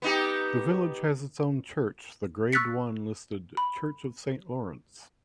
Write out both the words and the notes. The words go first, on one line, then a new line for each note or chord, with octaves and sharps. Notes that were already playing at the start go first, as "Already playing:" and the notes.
The village has its own church, the Grade One listed 'Church of Saint Lawrence'.
B3 D#4 G4
C#6 E6 F#6 A6 B6 C#7
B5